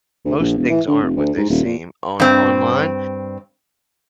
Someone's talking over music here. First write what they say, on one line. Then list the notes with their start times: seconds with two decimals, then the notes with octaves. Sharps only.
most things aren't what they seem on online.
0.25 D2
0.40 A#1
0.57 E1
0.70 E3
0.87 D3
1.02 F1
1.16 D2
1.37 G#2
1.49 D#1
1.65 A#2
2.20 G2 C4